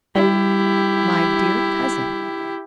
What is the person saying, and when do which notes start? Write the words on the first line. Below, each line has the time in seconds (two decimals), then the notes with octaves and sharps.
"My dear cousin."
0.15 G3 E4 G4